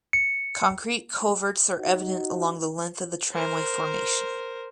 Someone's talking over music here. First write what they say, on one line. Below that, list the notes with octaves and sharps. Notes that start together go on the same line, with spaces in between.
Concrete culverts are evident along the length of the tramway formation.
C#7
D#4 F#4
A#4 C5